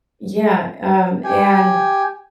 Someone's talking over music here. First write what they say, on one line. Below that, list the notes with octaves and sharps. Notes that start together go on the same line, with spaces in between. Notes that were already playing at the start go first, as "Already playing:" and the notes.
Yeah, um, and
G4 G#5